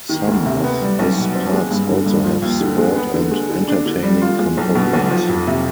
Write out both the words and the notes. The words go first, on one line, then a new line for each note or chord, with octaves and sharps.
Some of this parks also have sport and entertaining components.
D#3
D2
C3
B3
G3
B1
B2
C4
G#3
G2
D3
G2
F3
D#2
D3
G#3
B3
D3
G#3
D3
D4
D3
G3
F4
G#3
B1
B2
B1
F3
F2
C3